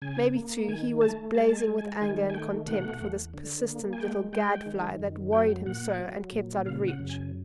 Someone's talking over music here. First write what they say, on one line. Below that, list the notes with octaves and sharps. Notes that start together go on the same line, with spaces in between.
Maybe too he was blazing with anger and contempt for this persistent little gad-fly that worried him so and kept out of reach.
C#3 G#5
A#3
D#3 G#5
A3 A5
G#3 A5
A5
G#5
G#3
G#5
D#3 G#5
G#5
A3 G5
B2 F#5
E2
D3
A#3
G#5
G#3 G5
G#3 G5
D#3
F#2
F#3 G5
A#2 F#5
F#3
A#2
C#3 F5
F#5
F#2
G#5